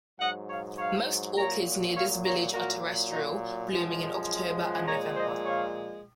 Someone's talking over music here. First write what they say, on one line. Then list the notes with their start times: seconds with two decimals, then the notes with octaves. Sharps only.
Most orchids near this village are terrestrial, blooming in October and November.
0.20 G#2 F#3 D#5 F#5
0.49 C#5 F5
0.78 C#5 F5
1.36 A#2 F#3 A#4 C#5
1.95 C#5 F5
2.23 A#4 C#5
2.53 A#2 F#3 F#4 A#4
3.11 D#4 F#4
3.70 F#2 F3 G#3
4.87 A#2 F3 G#3 A#4 C#5
5.16 C5 D#5
5.45 C#5 F5